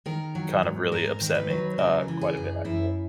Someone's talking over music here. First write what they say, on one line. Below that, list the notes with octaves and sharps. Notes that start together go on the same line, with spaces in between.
kind of really upset me, uh, quite a bit, actually.
D#3 A#4
F#3
G#2
G#2 A#4
D#3
B4
F#3
C#3 A#4
E3
G#4
F#2
F#2 E4